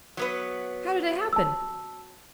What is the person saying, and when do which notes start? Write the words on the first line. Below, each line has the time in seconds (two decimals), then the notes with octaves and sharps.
"How did it happen?"
0.17 F#3 B3 B4
1.33 A5 E6